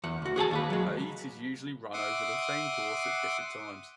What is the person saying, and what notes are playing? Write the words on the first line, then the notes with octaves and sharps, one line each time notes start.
A heat is usually run over the same course at different times.
E2 F#5
D2 F#4
F#4 G#4 G#5 A5
D#2 F#4 B4
F#3 G#3
E5 F#5 C6 D6 D#6